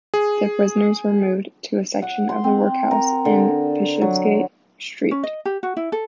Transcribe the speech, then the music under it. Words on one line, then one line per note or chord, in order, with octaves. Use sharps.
The prisoners were moved to a section of the workhouse in Bishopsgate Street.
G#4
F#5
C6
C4
A#4
D3
F#3
C#4
D#5
G4
F#4
E4
A4